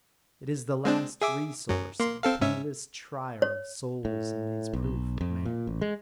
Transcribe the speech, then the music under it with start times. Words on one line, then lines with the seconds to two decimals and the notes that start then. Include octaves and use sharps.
It is the last resource of the pitiless trier of souls in his proof of man.
0.85 G#3 C4 D4
1.21 G#4 E5 D6
1.69 F#2 F#3
2.00 A#3 C6
2.23 C4 A4 F5
2.41 G#2 C#4 E5
3.42 C#5
4.05 A2
4.73 B1
5.21 F2
5.45 A#2
5.67 A1
5.81 G#3